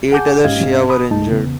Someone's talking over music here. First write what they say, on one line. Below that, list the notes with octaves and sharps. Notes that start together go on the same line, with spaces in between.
Eight other Shia were injured.
G#4 F#5 G#5 A5 D6 G6
G#2 C#4 G4 D#5 F5 G#6
B5 D#6
C2 G2 G#3 D#4 A5
E2 C#3 B3